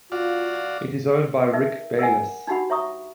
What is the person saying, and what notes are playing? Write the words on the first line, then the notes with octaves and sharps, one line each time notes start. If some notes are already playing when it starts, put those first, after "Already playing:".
It is owned by Rick Bayless.
F4 F#4 D5 F5
D#4 A#4 B4 D#5 E5
A#4 D#5 F#5 G#5
D4 D#4 F#4 G4 F#5 B5
C#5 E5 A#5 C#6 D#6